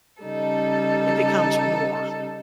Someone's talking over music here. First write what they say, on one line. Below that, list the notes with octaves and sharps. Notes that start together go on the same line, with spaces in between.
it becomes more.
C#3 G3 D#4 A4